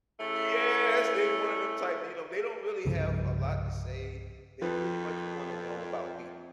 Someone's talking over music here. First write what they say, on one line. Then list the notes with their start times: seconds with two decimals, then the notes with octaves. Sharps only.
Yes, they've one of them type, you know, they don't really have a lot to say. They pretty much wanna know about me.
0.20 C#3 A3 E4
2.85 C2 G2 C#3 F3
4.62 F2 F3 B4